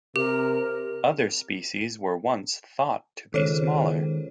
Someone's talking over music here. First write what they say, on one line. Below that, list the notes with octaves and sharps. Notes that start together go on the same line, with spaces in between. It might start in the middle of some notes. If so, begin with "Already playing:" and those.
Other "species" were once thought to be smaller.
C3 G4 A#4
C#2 D#3 A4 C5 C#5